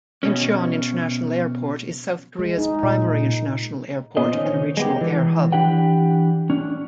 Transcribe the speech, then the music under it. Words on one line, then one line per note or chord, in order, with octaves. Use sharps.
Incheon International Airport is South Korea's primary international airport and a regional air hub.
B2 C#4
G#3
D#4
A#2
A#2 B3 C5 D#5
D#3 C#4
G#3 B3 G4
E3
E3 D4 G4 F#5 G5
C#4 D4